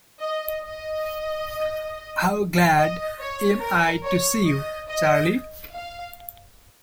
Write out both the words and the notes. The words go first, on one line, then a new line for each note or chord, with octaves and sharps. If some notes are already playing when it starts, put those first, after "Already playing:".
How glad am I to see you, Charley!
D#5
D#5
D#5
C#5
A#4
C#5
D#5
D#5
F5